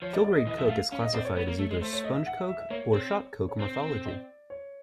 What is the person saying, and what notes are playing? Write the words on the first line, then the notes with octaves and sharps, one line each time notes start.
Fuel-grade coke is classified as either sponge coke or shot coke morphology.
F3 C#5
D5
D5
D#5
E3 D#5
F3 E5
A3 F5
C#4 F5
D#5
C4 D5
C#5
B3
A#3
A3
G#3
A3 C5
C#5
D#5
E5
F#5
E5
E5
E5
A#3 C#5
C4
C#5
C4 C5
D5
C#5